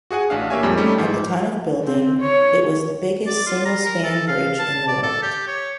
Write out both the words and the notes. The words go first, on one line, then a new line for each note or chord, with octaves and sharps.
At the time of building, it was the biggest single-span bridge in the world.
F#4 G#4 F#5 G#5
A1 D4 F5
A#3 G4 C#5 E5 G#5
F2 G3 G#3
G3 A3 C#4 D#4 G4 A4
G#2
C4
C#5
D5
F4
A#5
A#4
A4
F5
A5
D5
A4
G4
C#5